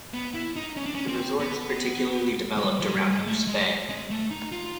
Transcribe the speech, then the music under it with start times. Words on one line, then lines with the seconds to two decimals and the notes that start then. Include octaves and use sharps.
The resort is particularly developed around Moose Bay.
0.14 B3
0.34 E4
0.56 D#4
0.77 C#4
0.86 D4
0.95 C#4
1.08 C4
1.39 B3
2.57 G#3
2.64 G3
2.80 F3
2.88 G#3
2.96 G3
3.11 G#3
3.27 A3
3.47 G#3
3.89 G#3
4.10 A3
4.31 D#4
4.52 F4